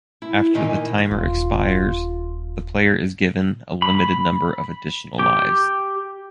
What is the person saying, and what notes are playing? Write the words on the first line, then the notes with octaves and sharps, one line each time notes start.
After the timer expires, the player is given a limited number of additional lives.
E4
A#2 D#3 E3 D#4 G#5
D#1 F4
B5
G4